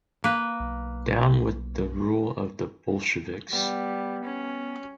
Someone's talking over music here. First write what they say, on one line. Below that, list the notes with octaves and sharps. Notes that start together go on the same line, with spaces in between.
Down with the rule of the Bolsheviks!
A#3 B4
B1
G3 B3
C#4